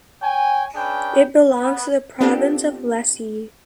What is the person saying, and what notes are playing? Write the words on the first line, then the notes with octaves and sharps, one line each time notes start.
It belongs to the province of Lecce.
C#5 G5 G#5
C#4 D4 G#4 B4 G5
B3
B3 C4 D4 F4 G4 A4